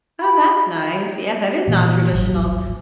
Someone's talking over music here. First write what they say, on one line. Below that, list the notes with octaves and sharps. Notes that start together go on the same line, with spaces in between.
Oh, that's nice. Yeah, that is nontraditional,
B5
A#2 E3 A#3
D1 G#1 F3 F#3